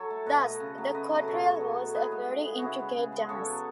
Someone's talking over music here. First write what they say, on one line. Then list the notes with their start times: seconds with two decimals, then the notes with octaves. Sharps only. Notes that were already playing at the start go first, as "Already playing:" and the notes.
Thus the quadrille was a very intricate dance.
Already playing: F#3 A4 C#5
0.10 A3
0.26 B2 B4 D#5
0.44 A3
0.60 C#3
0.78 F#3 A3
0.94 C#3 B4 D#5
1.10 F#3 A3
1.27 B2 A4 C#5
1.45 A3
1.61 B2
1.77 A3
1.95 A2 G#4 B4
2.11 G#3 B3
2.29 A2
2.45 G#3 B3
2.58 C#3 E4 F#4 G#4
2.79 G#3 B3
2.96 C#3
3.12 G#3 B3
3.29 C#3 A4 C#5
3.45 F#3 B3